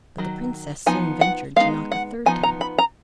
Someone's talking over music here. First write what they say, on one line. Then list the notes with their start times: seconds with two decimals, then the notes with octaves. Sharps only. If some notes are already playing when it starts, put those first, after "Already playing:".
But the princess soon ventured to knock a third time.
0.18 D#3 F#3
0.86 F3 B3 D#4 G#5
1.21 F#5
1.56 G#3 B3 D#4 F5
1.92 F#5
2.26 F3 B3 D#4 G#5
2.43 A#5
2.61 B5
2.78 A#5